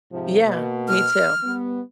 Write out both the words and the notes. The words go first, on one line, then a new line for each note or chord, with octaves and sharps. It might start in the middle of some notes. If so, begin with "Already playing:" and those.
Yeah. Me too.
G#2 C3 F3
B2 A#3
F6
G3 B3